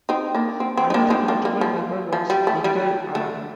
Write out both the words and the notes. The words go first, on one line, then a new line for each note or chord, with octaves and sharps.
Another notable member was Yigal Allon.
C4 D#4
A#3 D4
C4
C4
D#4
A#3 D4
C4 D#4
A#3 D4
A#3
F3
F3
G3
A3
G3
A3